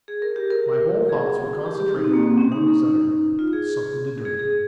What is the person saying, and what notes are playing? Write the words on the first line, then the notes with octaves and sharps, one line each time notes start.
My whole thoughts were concentrated on the one desire--something to drink!
G#4
A#4
G4
A#4
G#4
G4
G4
D#4
C4
A#3
C4
C#4
D#4
F4
G#4
G#4
G#4